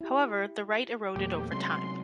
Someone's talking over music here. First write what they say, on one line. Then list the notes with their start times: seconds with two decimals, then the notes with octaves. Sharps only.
However, the right eroded over time.
0.01 E4 G4
1.16 E2 A#2 F#3 A3 G4
1.52 C3 F#3 G#3 C#4 C6